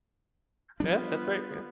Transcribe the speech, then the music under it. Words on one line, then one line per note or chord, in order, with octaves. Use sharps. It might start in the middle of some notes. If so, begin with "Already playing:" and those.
Yeah, that's right, yeah.
F3 G3 B3 D4 F4